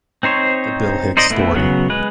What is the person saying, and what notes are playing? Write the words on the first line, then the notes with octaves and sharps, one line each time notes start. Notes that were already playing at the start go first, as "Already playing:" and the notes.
The Bill Hicks Story.
C4 D#4 C5 C#5
D#4 C5 D5 D#5
A3 B3 E4
C#3 F#3 B3
G#3 B4